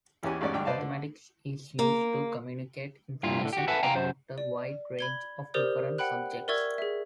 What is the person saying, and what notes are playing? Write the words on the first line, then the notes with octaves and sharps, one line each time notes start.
Mathematics is used to communicate information about a wide range of different subjects.
E2 E3 C#4 G4 G#5
A1 E2 G#2 C#4 D5
G#1 D2 G2 D4 G5 D6
B4 C5 D5 D#5 F5 A5
D3
A#3
G2 A#2 E4 F4
A2 D3
F#4 G4
A4 B4 E5 F#5 G#5 A5
F5 G5 G#5 A#5
F#2 C5
D5
B5 G#6 G7
G4 A#4 C5 D5 D#6 G6
F#5 G5 B5 F#6
A#4 D5 E5 C#6 E6 G#6
G#4 E5